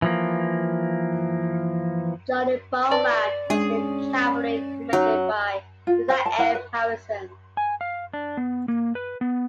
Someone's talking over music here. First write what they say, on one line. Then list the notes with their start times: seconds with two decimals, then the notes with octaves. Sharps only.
Joining Bowman was the cavalry commanded by Isaac F. Harrison.
0.02 E3 F3 A#3
2.91 B4 D5 A5 C6
3.50 G#3 C#4 D4 G#4
4.93 F#3 D#4
5.87 F4
6.08 C5 F5 G5
6.26 A5
6.38 E4 F#5
6.55 B4
7.57 G#5
7.81 F5
8.14 D4
8.37 B3
8.68 A#3
8.95 B4
9.21 B3